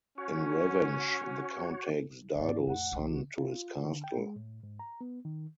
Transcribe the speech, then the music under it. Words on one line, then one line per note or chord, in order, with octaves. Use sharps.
In revenge, the count takes Dardo's son to his castle.
C#4 F#4 C#5
G#2 F4 D5
F2 A2 F#5
C2 A2
F#4
F4
D3
G5
G#3
A2
G#2
A#5
B3
D#3